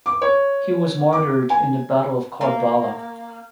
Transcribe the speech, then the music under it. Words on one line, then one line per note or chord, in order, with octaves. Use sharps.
He was martyred in the Battle of Karbala.
D6
C#5
D6
G#5
A#3